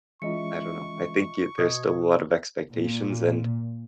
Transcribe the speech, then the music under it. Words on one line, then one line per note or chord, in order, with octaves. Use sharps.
I don't know, I think there's still a lot of expectations and
E3 G#3 C#4 F4 D#5 E5 C#6 C#7
B2 D#5 D#6 G#6
A#2